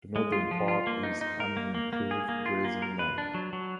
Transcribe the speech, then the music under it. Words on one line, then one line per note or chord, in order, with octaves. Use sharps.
The northern part is unimproved grazing land.
G#3
F4
F3
F4
A#3
D#4
D#4
A#4
A#3
A#3
A#3
G#4
A#3
F4
A#3
A#4
B4
D4
F#3
F#3